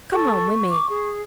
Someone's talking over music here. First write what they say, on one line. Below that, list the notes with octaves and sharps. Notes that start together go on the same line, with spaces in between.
Come home with me.
A4 C#6
D6
G#4